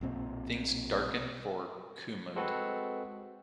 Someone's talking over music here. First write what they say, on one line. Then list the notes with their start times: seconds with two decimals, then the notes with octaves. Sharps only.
Things darken for Kumud.
0.01 B1 A#2 C4
2.36 G#3 C4 F#4 A4 B4 F#5